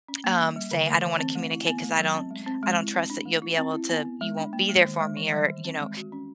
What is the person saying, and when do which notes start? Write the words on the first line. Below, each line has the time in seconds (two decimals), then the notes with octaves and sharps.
um, say, "I don't wanna communicate 'cause I don't I don't trust that you'll be able to you won't be there for me," or you know,
0.08 C#4
0.24 A#3
0.40 G3
0.56 G3
0.71 D3
0.88 A3
1.03 E3
1.19 C4
1.35 A3
1.51 E4
1.67 B3
1.83 A3
1.99 F#3
2.15 C4
2.31 G#3
2.46 C4
2.63 G#3
2.78 E4
2.95 C4
3.10 D4
3.26 A3
3.42 E4
3.57 C4
3.73 E4
3.89 B3
4.05 B3
4.21 G#3
4.38 D4
4.53 A#3
4.69 G#3
4.85 D#3
5.01 G#3
5.17 E3
5.32 G3
5.48 D#3
5.65 C4
5.80 G#3
5.97 F#4
6.12 C#4